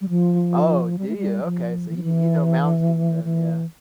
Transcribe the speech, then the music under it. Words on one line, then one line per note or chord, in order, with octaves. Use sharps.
Oh, do you? Okay, so you you know Malmsteen then, yeah.
G3
F3
G3
A3
G3
F3
E3
F3
E3
E3